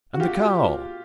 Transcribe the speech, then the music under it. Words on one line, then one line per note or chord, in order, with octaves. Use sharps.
"And the cow?"
F#4
F4 G4